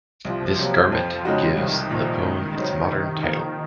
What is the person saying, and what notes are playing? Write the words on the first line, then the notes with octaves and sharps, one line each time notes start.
This garment gives the poem its modern title.
C2 F3
C3 F#3 A#3
F2
C#3 G#3 D#4 F#4
C2 D#3
A#2 F3
C#2
C#3 F#3 C4
C3
F3 A#3